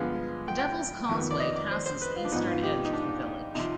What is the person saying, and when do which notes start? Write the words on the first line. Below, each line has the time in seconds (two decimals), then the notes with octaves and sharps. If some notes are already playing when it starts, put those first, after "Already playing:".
The Devil's Causeway passes the eastern edge of the village.
Already playing: G2 D3 F3 G#3 B3 F5
0.48 G5
0.59 G5
1.09 F2 D#3 B3
1.31 D5
1.40 D#5
1.56 D5
1.71 C5
1.86 C5
2.02 B4
2.16 F4
2.25 D4
2.32 G#2 F3 B3 D#4
2.47 F4
2.63 G4
2.85 D#4
2.93 D4
3.55 C3 F3 C4 D#4